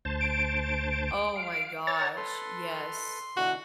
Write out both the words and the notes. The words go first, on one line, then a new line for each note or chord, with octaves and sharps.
Oh my gosh. Yes.
D2 C5 A5
D7
F5
C#5 A#5 A6
A4 B4 C6
B2 D3 E3 F#4